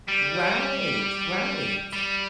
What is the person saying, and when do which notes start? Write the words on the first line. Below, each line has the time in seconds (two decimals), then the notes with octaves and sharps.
Right, right.
0.08 G3
1.93 G3